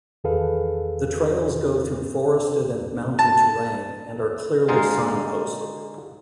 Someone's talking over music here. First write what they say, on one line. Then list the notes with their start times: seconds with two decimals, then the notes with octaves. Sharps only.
The trails go through forested and mountain terrain, and are clearly signposted.
0.24 E2 D#3 G#4 A4 B4 F5
3.19 A5
4.68 D3 G#3 D#4 F4 F5